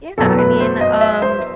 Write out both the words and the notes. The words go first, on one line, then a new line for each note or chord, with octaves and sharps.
Yeah. I mean, um,
F#1 E2 B2 F#3 A4
B4
C5
D#5
E5
C5